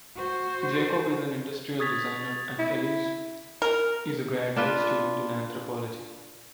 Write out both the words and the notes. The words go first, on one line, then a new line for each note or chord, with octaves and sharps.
Jacob is an industrial designer and Elyse is a graduate student in anthropology.
F#4 C5
C#6 D#6 G#6 A6 B6 F7
E4
A#4
D4 F4 B4